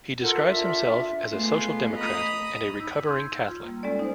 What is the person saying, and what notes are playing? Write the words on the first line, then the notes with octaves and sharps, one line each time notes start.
He describes himself as a social democrat and a "recovering Catholic".
F4 A4 A#4 F#5
D4 F4 E5
G#3 A3 B3 F4
D#5 A#5 B5 D#6
G2 D#4 E6 G6 A#6
C6 E6 G6 G#6
F4
G3 A#3
G#3 C#4 A4 D5
D#4 C5